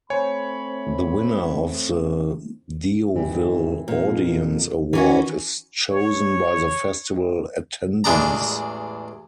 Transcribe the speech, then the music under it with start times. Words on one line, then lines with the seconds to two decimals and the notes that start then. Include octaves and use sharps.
The winner of the Deauville Audience Award is chosen by the festival attendees.
0.10 A3 C4 C5 C#5 G#5 B5
3.16 G#1 E3 G4
3.88 F2 A#2
4.93 D#3 E3 C#4 F#4 A#4 G#5
5.91 C#5
8.04 A1 E2 G#3 D4 D5 A#5